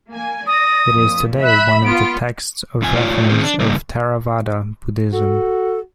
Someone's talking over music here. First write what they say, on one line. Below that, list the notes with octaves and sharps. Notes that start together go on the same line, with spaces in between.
It is today one of the texts of reference of Theravada Buddhism.
A#3 G#5
D5 D#6 A#6
F2 A#2
E5 B5 F#6
B3 F4 D7
F2 C3 F3 G#5
A2 F4 C#5 D5
D#3 C4 C#4 G#4 C5
D4
C#3 G3 A#3 D#4
F#4 A4